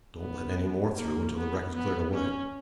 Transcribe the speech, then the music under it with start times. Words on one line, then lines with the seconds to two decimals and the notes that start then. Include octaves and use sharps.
Don't let any more through until the wreck is cleared away.
0.21 B3
0.97 A#3
1.36 B3
1.75 B3
2.13 C#4